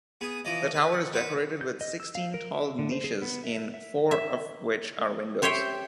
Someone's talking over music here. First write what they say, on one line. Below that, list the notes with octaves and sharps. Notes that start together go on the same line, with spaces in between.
The tower is decorated with sixteen tall niches, in four of which are windows.
B3 G#4
E3 F3 D5 D#5
B4
F#5
B4 C5 F#5
G6
D#5
E6
F5
A#4
E5
D3
C5
G#4
B3
E5
E5
E5
G4 C5 C#5 E5 G5